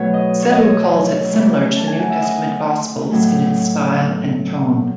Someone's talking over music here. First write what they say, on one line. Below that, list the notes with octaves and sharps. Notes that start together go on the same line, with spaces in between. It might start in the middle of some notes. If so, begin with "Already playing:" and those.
Sellew calls it similar to the New Testament gospels in its style and tone.
Already playing: B2 F#3 A3 B4 C#5
D#5
C#5
D#5
C#5
C#3 E3 A3
A5
G#5
F#5
E5
D#5
A2 F#3 A3